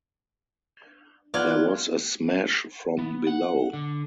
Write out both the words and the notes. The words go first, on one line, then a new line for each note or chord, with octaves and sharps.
There was a smash from below.
B3 F4 D5 F#5 G#6
B3
F#5
D3